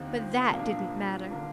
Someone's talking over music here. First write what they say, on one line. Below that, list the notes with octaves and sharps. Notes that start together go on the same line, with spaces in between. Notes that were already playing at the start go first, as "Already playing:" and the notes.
But that didn't matter!
Already playing: D#2 D3 F3 C4 D#4
C2 A#2 F3 A#3 D4
D3 G3 A#3 D4